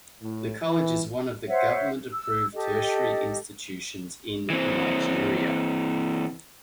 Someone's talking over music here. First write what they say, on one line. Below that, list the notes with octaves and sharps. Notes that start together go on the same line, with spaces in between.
The college is one of the government approved tertiary institutions in Nigeria.
A2
E3
C5 C#5 E5 F#5
E6
G4 A4 D#5
E3 C4